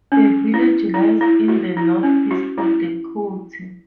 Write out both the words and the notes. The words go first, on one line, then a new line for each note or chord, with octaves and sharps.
The village lies in the north east of the county.
C#4
E4
E4
E4
F#4
E4
C#4
F#4
E4